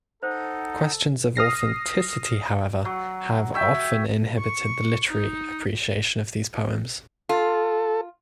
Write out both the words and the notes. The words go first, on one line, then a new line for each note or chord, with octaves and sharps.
Questions of authenticity, however, have often inhibited the literary appreciation of these poems.
D#4 A4 C5 F#5
D#6 F6 A#6 C7
F#3
C#5 E5 G5
C#6
D#4
F4 A4